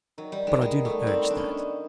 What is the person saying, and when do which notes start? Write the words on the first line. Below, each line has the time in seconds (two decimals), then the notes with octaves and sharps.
But I do not urge that.
0.18 D#3 F#3
0.32 D#3 G3
0.47 D#3 G#3
0.62 G#3 B3
0.77 D#3
0.85 A3
0.92 G3
1.07 D#3 C4
1.21 G3
1.30 D4
1.36 B3 C#4